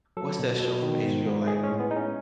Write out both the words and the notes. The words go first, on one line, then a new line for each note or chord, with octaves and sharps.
what's that show from HBO, like
F#3 A4
B2
B2
D#3
G#2
G#2
G#3 G#4
C#4
A2
B3
G#3 D#4
C#4